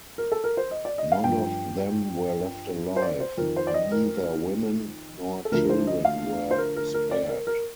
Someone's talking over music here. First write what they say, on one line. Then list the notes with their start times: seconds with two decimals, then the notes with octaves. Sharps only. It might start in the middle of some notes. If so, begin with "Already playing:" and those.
None of them were left alive; neither women nor children were spared.
0.18 A#4
0.32 A4
0.44 A#4
0.57 C5
0.71 D#5
0.85 D5
0.98 D#5
1.12 F5
1.24 G2 G5
1.29 F3
2.96 C5
3.02 D5
3.20 C5
3.37 F2 D#3 A#4
3.56 C5
3.67 D5
3.74 D#5
3.92 A#4
5.45 A4
5.52 D2 D3 F3 A#4
5.69 C5
5.87 D#5
6.05 F5
6.51 C5
6.58 A#4
6.76 A#4
6.94 A#4
7.11 D5
7.29 A#4
7.47 A#4